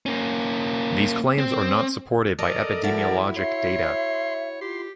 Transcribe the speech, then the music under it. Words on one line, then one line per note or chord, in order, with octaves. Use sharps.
These claims are not supported by epidemiologic data.
A#3 C#4
C4
A4 A#4 D5 D#5
F3 E4 F#4 A#4 D5 F#5 A5
C#5 E5 C6
F4 G4 C6